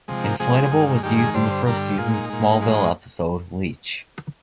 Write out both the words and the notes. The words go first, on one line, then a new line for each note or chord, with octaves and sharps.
"Inflatable" was used in the first season "Smallville" episode "Leech".
C3 F3 G#3
A#4
C3 F3 G#3 G#4
G2 D#3 G#3
G2 D#3 G#3 G4
G#4
G2 D3 G3 C5
C5
G2 D3 G3 A#4
A#2 G#3 F4
D#4
A#2 G#3
G#2 F3 G#3